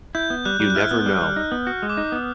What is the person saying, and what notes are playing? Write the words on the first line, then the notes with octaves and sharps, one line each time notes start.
You never know.
E4 G6
B3
G3 F#6
G3
F#6
E4 F6
B3
G3
G3
D#4
B3
F#4
G#3
D6
D#4 D#6
B3 D6